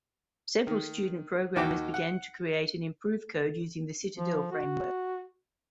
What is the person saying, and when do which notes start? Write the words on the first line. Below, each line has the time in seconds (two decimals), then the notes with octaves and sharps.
Several student programmers began to create an improved code using the Citadel framework.
0.67 D#3
1.56 D#2 D#4 F#4 G5 D6
1.94 F#5
4.17 F3
4.52 F#4